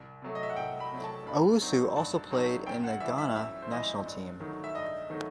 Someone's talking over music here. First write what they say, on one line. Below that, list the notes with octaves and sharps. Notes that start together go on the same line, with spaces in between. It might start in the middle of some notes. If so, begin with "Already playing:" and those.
Owusu also played in the Ghana national team.
Already playing: C2
C3 F#3 A3
D#5
E5
F#5
C2 G5
B5
C3 F#3 A3
A5
G2 B5
F#3 C4 D#4
G2 A5
F#3 C4 D#4
F#2 G5
F#5
E3 G3 E5
E5
F#2 E5
C5
E3 G3 D#5
G2
D#3 F#3 A3 D#4
E5
G2 D#5
D#3 F#3 A3 D#4